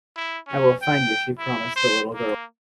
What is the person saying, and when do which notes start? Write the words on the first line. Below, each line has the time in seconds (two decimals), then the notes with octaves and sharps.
"I will find you.", she promised the little girl.
0.17 E4
0.48 C#4
0.82 G5
1.39 E4
1.76 C5
2.15 A#3